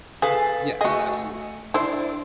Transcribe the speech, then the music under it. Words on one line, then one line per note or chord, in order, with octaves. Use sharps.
Yes, absolute.
G#4 A4 B4 F5
A3 F#4 G#4 D#5
D4 E4 C5